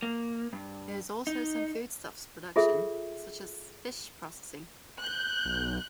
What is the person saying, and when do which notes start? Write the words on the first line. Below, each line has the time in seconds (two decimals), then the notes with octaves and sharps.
There is also some foodstuffs production, such as fish processing.
0.02 A#3
0.53 G2
1.27 D#4
2.56 F4 G#4 A4 E5
4.98 F#6 G6
5.46 B1